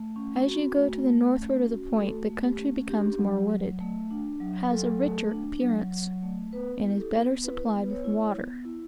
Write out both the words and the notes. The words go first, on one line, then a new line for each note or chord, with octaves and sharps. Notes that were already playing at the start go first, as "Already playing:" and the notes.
As you go to the northward of the point, the country becomes more wooded, has a richer appearance, and is better supplied with water.
Already playing: A3
C#4
F#4
A3
A3
C#4
F#4
A3 A4
A3
G4
C#4
D4 G4
F#3
F#3
A3
D4
F#3
F#3 A4
A3
D4
F#3
F#3
A3
B3 B4
E4
G4
A4
B3
E4 B4
B3
B4
C#5
E4
B3
E4